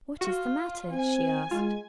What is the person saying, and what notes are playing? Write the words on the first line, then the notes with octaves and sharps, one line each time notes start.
"What is the matter?" she asked.
F4 F#4
C4 G#5
G#3 F4